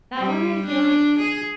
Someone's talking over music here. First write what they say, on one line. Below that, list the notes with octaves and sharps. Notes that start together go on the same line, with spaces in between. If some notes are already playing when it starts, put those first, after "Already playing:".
that one I feel like,
G3
D4
G#4